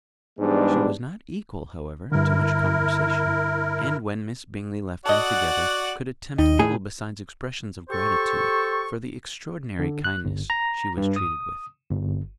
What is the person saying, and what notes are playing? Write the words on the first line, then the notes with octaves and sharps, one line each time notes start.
She was not equal, however, to much conversation, and when Miss Bingley left them together, could attempt little besides expressions of gratitude for the extraordinary kindness she was treated with.
G#2 E3 G3 G#3 B3 D4
G2 D3 E4 A#4
F#4 A4 D5 D#5 F#5
D#2 G3 D#4 D#5
A2 G#4 G#5
G4 A4 C5 C#6
D3
F#6
G1
A#5
G2
D#6
G1